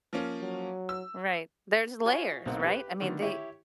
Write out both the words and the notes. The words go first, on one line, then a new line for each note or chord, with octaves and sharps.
Right, there's layers, right, I mean, they,
F3 A#3 C#4
F#3
E6
F4 F#4 C#5 G#5
B1 A#3 C4 D#4 F#5
G4 B4
D3 D#3 A3 B3
E4 G4 C#5